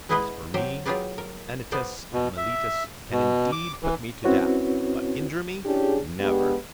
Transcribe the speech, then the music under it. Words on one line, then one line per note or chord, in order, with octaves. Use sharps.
As for me, Anytus and Meletus can indeed put me to death, but injure me, never!
G#3 B3 E4 G#4 B4 D#5
F#3 C4 G4 C5
F#3 F4 G4 G#4 B4 D5
A#4
B3 C5 D5
B2
E5
B2
D6
E3
C4 C#4 E4 F#4 B4 C#5
C#4 D4 E4 G4 G#4
G#3 B3 D4 G4